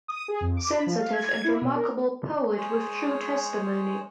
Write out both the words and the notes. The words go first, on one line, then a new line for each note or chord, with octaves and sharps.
Sensitive and remarkable poet with true testimony.
D#6
G#4
F2
D6
B5
F3
F5
G#6
G#6
E4
B2
A#4
G#3 G#4 C5 C#5